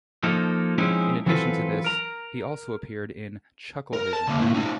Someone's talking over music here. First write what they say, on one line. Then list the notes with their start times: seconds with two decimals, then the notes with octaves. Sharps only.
In addition to this, he also appeared in "ChuckleVision".
0.23 F3 A#3 D#4 A4
0.78 F3 G#3 C4 C#4 D#4 E4
1.26 E3 F#3 C4 F4 A4 B4
1.84 A#4 A#5
3.93 A#4
4.13 A5
4.28 D3 A#3
4.40 A2 A#3
4.54 C#4 D#4